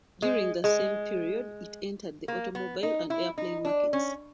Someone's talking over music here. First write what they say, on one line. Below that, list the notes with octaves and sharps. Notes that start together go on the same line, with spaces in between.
During the same period it entered the automobile and airplane markets.
G#3
G#3
A#3
B3
D#4
E4
D#4
D4
C#4